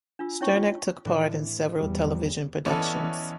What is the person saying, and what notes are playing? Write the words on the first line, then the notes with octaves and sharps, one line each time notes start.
Sterneck took part in several television productions.
D4 F4 E6
C#4 D#4 E4 C#5 G5 C#6
F4
A2 D3 E3
E2 G3
A1 E3 B3 C#4 A4 D5